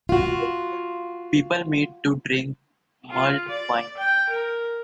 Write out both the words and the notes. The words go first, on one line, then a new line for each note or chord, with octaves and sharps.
People meet to drink mulled wine.
F4 F#4
F4
D5
G5
A#4